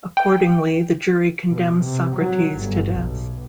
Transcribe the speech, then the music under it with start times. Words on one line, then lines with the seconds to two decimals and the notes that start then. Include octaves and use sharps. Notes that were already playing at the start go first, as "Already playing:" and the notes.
Accordingly, the jury condemns Socrates to death.
0.17 G5
1.49 B2
1.82 C3
2.17 F#3
2.58 G1
2.93 B1